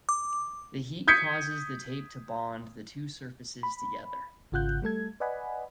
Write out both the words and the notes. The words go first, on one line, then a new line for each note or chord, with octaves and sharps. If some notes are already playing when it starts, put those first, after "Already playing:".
The heat causes the tape to bond the two surfaces together.
D6
D#6 G6 G#6 B6 C#7
B5
G#1 C#3 F4 F#5 F#6 G6
G3 A3 A4 G#6
B4 D5 D#5 F#5 G#5 B5